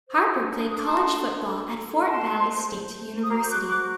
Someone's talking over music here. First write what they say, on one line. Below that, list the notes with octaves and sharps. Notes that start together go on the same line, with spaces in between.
Harper played college football at Fort Valley State University.
C5
F#4
D4
D4
A4 D#6
D6
F#4 A5 C6
D4
D4
D4
A4
F#4
A4
A4
F#4 A5 C6
F#4
C5
C5
C5
C5
C5
C5
D#6
F#4 A#5 D6
F#4 G6
D6 F#6
C5
D6 F#6
F#4